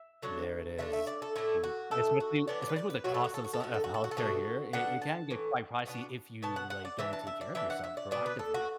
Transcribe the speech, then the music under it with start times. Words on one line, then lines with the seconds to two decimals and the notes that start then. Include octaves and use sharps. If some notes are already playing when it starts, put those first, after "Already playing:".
N there it is, um, especially especially with the costs of s of health care here, it it can get quite pricey if you, like, don't take care of yourself proactively.
Already playing: E5
0.22 D3 F#3 D4
0.78 D3 A3 D4 E5
0.93 E5
1.07 D5
1.22 A4
1.36 A2 A3 D4 E4
1.64 F#4
1.91 B2 A3 D4 A4
2.20 F#4
2.48 E3 B3 D4 D5
2.62 D5
2.69 B4
2.76 D5
2.90 B4
3.04 B2 F#3 A3 F#4
3.14 A4
3.24 F#4
3.34 A4
3.44 F#4
3.53 A4
3.60 D3 B3 D4 F#4
3.74 A4
3.84 F#4
3.94 A4
4.04 F#4
4.11 A4
4.17 B2 A3 D4 F#4
4.73 D3 B3 D4 F#5
5.02 A5
5.30 A2 E3
5.86 B2 B3 D4
6.43 B2 B3 A5
6.56 F#5
6.70 F#5
6.85 D5
6.99 E3 D4 E5
7.13 A5
7.27 E5
7.41 D5
7.55 E3 D4 E5
7.70 F#5
7.84 E5
7.97 D5
8.11 B2 B3 D4 D5
8.26 B4
8.39 A4
8.54 F#4